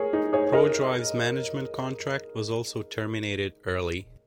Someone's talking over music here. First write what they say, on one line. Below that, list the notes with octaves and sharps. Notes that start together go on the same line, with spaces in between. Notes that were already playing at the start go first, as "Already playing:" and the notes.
Prodrive's management contract was also terminated early.
Already playing: G#4 A#4 C#5
D#4 G#4
G#4 C#5
A#4 D#5